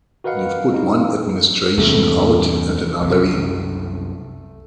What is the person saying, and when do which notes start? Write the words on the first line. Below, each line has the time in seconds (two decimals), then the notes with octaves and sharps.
You've put one administration out and another in.
0.24 F#4 A#4 B4 D#5 F5 F#5
0.73 C#4 D#4 E4 F5
1.78 E2 G2 C3 A3
3.02 C2 F#2